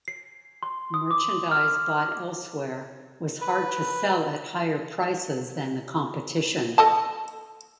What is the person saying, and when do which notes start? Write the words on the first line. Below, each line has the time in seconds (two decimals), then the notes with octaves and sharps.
Merchandise bought elsewhere was hard to sell at higher prices than the competition.
0.08 C7
0.63 C6
0.94 D#6
1.11 D6
1.51 F6
3.41 B4
6.78 A4 D#5 A5